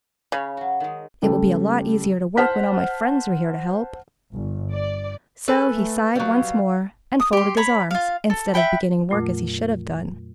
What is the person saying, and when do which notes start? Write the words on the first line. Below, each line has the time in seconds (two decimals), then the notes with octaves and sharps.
It will be a lot easier to work when all my friends are here to help,' So he sighed once more and folded his arms, instead of beginning work as he should have done.
0.32 C#3 C#5 F5 B5
0.57 F#3 F#4
0.80 D#3 G#3
1.22 C#3 G3 A3
2.37 C5 F#5 A5 F6 B6
4.32 G1
4.71 D5
5.48 G#4 A4 B4 G#5
5.71 A3
6.16 F#3 G3 F5
7.20 D#6
7.33 G4 C6
7.57 C#5 A#5 B5
7.91 F4 F5
8.30 A4
8.54 E5 F#5 G5 B5
9.10 F2 A#2 F#3 A3 F4